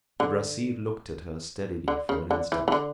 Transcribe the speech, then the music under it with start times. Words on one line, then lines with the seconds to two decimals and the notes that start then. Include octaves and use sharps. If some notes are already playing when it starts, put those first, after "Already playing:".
De Bracy looked at her steadily for an instant.
0.20 D3
1.88 D3
2.09 C#3
2.31 D3
2.52 E3
2.68 E3
2.72 D3